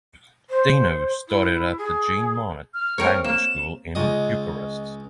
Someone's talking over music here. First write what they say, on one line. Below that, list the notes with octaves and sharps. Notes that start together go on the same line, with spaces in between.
Dinu studied at the Jean Monnet language school in Bucharest.
C5
E4
G#4
F6
C4 A#4 C#5
A#3 E7
C#2 D#5